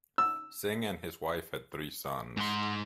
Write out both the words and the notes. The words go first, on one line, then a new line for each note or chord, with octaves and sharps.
Singh and his wife had three sons.
E6
G#2 C6